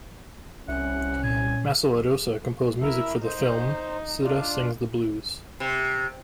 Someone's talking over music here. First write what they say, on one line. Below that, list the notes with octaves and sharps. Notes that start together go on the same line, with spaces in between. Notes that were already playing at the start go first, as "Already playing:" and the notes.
Masaladosa composed music for the film "Sita Sings the Blues".
C2 C#4 E5 F#5
A#2 G#5
E4 A#4 E5
D#4 C5
D4 F4
C3